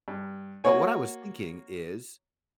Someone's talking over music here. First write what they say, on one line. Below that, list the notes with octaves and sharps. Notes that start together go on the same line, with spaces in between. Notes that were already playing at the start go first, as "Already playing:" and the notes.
but what I was thinking is,
G2
A#3 F#4 C#5 G#5